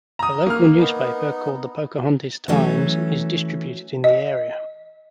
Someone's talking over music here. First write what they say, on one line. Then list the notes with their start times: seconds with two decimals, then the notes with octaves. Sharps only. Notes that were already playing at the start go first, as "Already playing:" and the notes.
A local newspaper called "The Pocahontas Times" is distributed in the area.
0.19 A#5 D#6
0.47 A#3 F6
0.78 B3 D#4
2.48 E3 F#3 A3 C#4
4.04 D#5